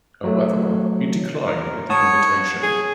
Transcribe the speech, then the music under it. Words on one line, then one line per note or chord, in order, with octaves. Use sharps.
However, he declined the invitation.
F#3 A3
A#4
C#5 F#5 A5 D#6
G#4